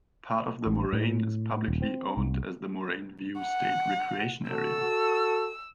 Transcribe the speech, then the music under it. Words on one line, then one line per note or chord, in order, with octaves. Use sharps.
Part of the moraine is publicly owned as the Moraine View State Recreation Area.
A1
A2
D#1
C4
C2
F#5
F#4 A4 E6